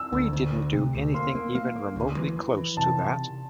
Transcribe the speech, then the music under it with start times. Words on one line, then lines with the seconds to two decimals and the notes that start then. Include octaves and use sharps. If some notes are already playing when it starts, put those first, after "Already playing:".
We didn't do anything even remotely close to that.
Already playing: E6
0.13 D2
0.33 D2
0.54 D2
0.73 C3
0.94 D2
1.14 A#3 C6
1.35 A#3
1.55 A#3
1.76 A#3
1.96 D2
2.17 E3
2.37 E3
2.57 E3
2.77 C3 A5